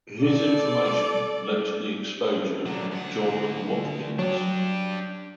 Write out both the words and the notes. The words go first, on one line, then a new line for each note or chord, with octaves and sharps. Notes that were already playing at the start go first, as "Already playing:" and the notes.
His information led to the exposure of John Watkins.
A4 D5
F#3 D4
D2 F#5
F#3 D4 G4